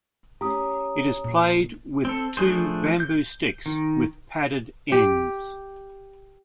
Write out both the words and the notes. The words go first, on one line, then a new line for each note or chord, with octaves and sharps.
It is played with two bamboo sticks with padded ends.
C#4 G4 A#5 D#6
A#2
C4 A4
F3 A3 D4 G#4 C5
G6
D#3
G4